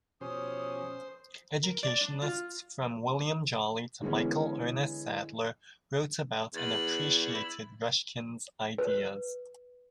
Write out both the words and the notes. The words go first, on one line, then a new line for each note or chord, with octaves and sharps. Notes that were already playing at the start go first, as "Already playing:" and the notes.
Educationists from William Jolly to Michael Ernest Sadler wrote about and appreciated Ruskin's ideas.
B2 F3 C#4 G4 C5 D#6
A#4
D5
D4
F4
D3 E3 G#3 B3 C#4
E2 G#6 A6 F#7
E4
B4